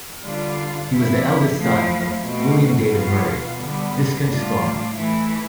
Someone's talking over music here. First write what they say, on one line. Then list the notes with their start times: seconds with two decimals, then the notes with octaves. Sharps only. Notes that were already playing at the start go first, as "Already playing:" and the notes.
He was the eldest son of William David Murray, Viscount Stormont.
0.23 D3 G3 D4 F4
0.89 C3 F3 C4 E4
1.57 F3 A3 E4
2.24 B2 A3 C4
2.92 B2 B3 F4
3.59 D3 G3 B3
4.26 A2 G3 D4 F4
4.93 E3 A3 E4